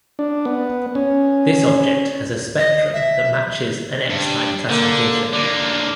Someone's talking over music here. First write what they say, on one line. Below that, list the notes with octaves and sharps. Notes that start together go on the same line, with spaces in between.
This object has a spectrum that matches an X-type classification.
D4
B3
C#4
D#5
E5
G2
D3 A#3
D3 A#3 D5